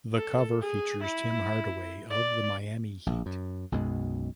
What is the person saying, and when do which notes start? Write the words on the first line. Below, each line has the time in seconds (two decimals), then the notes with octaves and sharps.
The cover features Tim Hardaway of the Miami Heat.
0.15 A4
0.61 G#4
1.04 E4
2.10 D5
3.06 A#1
3.26 F#2
3.72 B1 F#2 B2 G#3